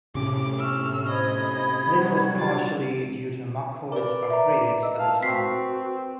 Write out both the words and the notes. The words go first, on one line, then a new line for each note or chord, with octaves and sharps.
This was partially due to McCoy's arthritis at the time.
A2 C3 C#4 D6
C#6 E6 F6
C5 D#5 B5 G#6
F#3 G3 F#4
F4 A6
A#4 B4 D5
E5 A#5
D#5 E6
F5 A5
C4 F#4 B6 C7